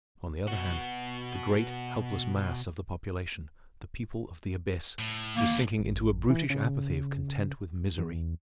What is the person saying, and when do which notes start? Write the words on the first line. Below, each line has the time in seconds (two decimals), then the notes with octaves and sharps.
On the other hand, the great helpless mass of the population, the people of the abyss, was sinking into a brutish apathy of content with misery.
0.48 B2 F#4
4.99 A2
5.37 D#2 G3 A#3
5.53 D2 A2
5.79 G#1
6.30 E3
6.50 C#3
7.98 E2